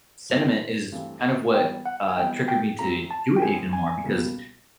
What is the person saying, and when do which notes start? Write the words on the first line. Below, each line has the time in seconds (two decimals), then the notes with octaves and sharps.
sentiment is kind of what, uh, triggered me to do it even more, because,
0.30 G2 E3 A3 C4
0.92 G2 E3 A3 C4
1.54 E3 G3 B3 G5
1.86 F#5
2.09 G#5
2.16 E3 G3 B3 G5
2.48 G5
2.79 A2 F3 G#3 C4 A#5
3.11 A5
3.36 G5
3.42 A2 F3 G#3 C4 G#5
3.73 G#5
4.04 C#2 B2 G3 A#3